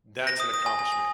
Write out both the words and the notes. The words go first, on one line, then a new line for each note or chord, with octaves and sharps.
That's an accomplishment,
A#6
D#6
D#6
G#5
G#5
G#5